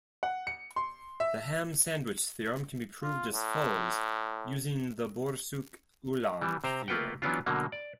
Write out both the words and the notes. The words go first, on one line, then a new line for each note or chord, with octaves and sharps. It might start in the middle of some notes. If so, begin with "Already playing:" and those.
The ham sandwich theorem can be proved as follows using the Borsuk-Ulam theorem.
F#5
C#7
C6
E5
F4
A2
E3 G3
C3 C5 G5 A#5
A3 A#3 F4 B4 F#5 G5
E3 F#3 B3 C#4 D4 F4
B2 D3 F#3 A#3
D5